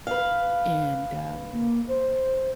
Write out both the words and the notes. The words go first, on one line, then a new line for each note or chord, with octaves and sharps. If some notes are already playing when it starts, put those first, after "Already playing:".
and um
B4 F5
A#3
C5